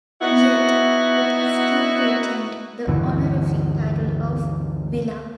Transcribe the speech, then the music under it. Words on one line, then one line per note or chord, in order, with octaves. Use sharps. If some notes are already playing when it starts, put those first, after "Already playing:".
Yet, it still retained the honorific title of "vila".
B3 D#4 E4 F#4
D2 G2 D3 E3